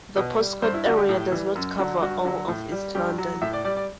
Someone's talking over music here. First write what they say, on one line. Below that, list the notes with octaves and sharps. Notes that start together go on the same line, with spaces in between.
The postcode area does not cover all of East London.
B2
G3
G2 C5
E4
D3 G3 F#4
G4
A2
E3 G3
F#2
D3 F#3
G2 F#4
D3 F#3
A2
G3
G2 G4
F#3
A2 E5
D5
G3 D5
D5